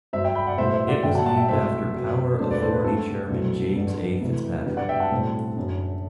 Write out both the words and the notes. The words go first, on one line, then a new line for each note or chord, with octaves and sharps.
It was named after Power Authority Chairman James A. FitzPatrick.
G1 G2 F#3 C5 E5
E5 G5
G5 B5
D5 F#5
B1 A2 G3 B3 C5 E5
C5 E5
D5 F#5
G1 G2 F#3 E5 G5
F#5 A5
F#5 A5
E5 G5
C2 B2 A3 C4 C5 E5
F#2 F#3 B3
E1 D2 D3 A4 C5
B4 D5
A4 C5
B4
G2 D3 A3 C4 A4
C2 B2 A3 C4
G1 G2 D3 G3 B3
D2 C3 E3
G2 D3 G3 B3
D5 F#5
E5 G5
F#5 A5
B1 A2 G3 C4
F#1 F#2 D3